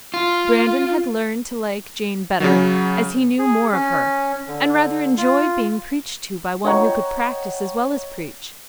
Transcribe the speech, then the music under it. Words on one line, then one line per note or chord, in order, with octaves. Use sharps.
Brandon had learned to like Jane better as he knew more of her, and rather enjoyed being preached to by one who could practise as well as preach.
F4
C#3 F#3
G#4
C#4
D3
F4
C#5 D#5 F#5 G5 A#5 C#6